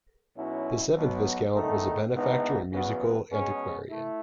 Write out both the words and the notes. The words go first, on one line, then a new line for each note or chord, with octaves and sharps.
The seventh Viscount was a benefactor and musical antiquarian.
B1 B2 F#3 C#4 E4
B1 B2 F#3 B3
E2 D#3 A3 D#4 A4
G#1 G#2 E3 B3 D#4
E2 C#3 F#3 B3
B2 G#3 C#4 G#4
A3 E4